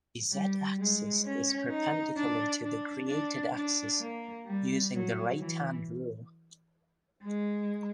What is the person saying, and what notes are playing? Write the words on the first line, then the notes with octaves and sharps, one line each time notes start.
The z-axis is perpendicular to the created axis using the right-hand rule.
G3
G#3
C#4
D#4
D4
D4
D4
D4
A#3
G3
F#3
E3
G#3